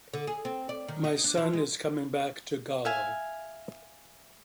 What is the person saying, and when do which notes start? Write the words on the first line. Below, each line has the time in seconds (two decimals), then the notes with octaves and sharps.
My son is coming back to "Galo".
0.13 D3
0.27 G#4
0.45 C4
0.69 D5
0.88 D#3
1.04 D#4
1.24 D4
1.37 F3
1.53 G#3
2.85 E5 F5 G#5